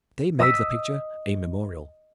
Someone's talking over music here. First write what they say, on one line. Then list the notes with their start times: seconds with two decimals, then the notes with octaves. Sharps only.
They made the picture a memorial.
0.39 D#5 D#6 E6 B6